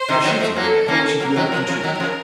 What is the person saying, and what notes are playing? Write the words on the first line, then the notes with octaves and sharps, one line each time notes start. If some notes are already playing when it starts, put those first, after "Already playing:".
"For shooting here, how much have you ever contributed?"
Already playing: C5
C3 D#3
D#3 F#3
F3 A3
F#3 A#3 A4
A#3 C#4
F#3 A#3 A#4
D#3 F#3
C#3 F3
C#3 F3
D#3 F#3
C#3 F3